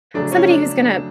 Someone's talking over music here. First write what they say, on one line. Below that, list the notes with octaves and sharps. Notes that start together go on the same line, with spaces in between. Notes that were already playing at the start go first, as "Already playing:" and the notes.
somebody who's gonna
F2 C#3 F#3 A3 D4
C#4
D4